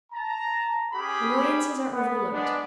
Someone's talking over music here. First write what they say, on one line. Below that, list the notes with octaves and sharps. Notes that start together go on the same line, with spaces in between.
Annoyances are overlooked.
A5 A#5
C#4 G4 G#4 G#5 B5
B3
G#3 B3 D4